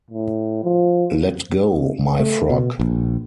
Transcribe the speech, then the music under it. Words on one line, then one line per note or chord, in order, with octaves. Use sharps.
Let go my frock!
A2
F3
A3
B2
A#1